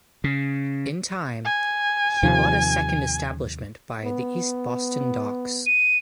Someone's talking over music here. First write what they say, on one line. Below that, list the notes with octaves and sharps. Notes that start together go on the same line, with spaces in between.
In time, he bought a second establishment by the East Boston docks.
C#3
G#5
D#2 C3 F3
B3
D#7